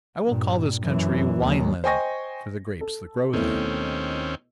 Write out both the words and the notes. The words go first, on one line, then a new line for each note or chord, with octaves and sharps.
"I will call this country Wineland for the grapes that grow there."
G2 A#2
F#2 E3
D#2 F#3
C5 D#5 G5 G#5 C#6 A#6
A4
D#2 B2 A3 C4 C#4 E4